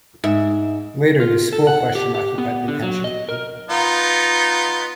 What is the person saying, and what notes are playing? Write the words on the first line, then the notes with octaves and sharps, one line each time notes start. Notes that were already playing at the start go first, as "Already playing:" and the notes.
Later the school question occupied the attention of the people.
G#2 E5
F4
A4
F#5
G4
G4
B3
D3
F#3
D#5
A#4
B3 D#4 F4